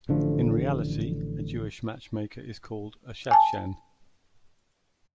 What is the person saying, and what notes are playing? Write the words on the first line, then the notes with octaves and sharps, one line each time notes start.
In reality a Jewish matchmaker is called a "shadchan".
A1 D3 F3 A3
G#5 A5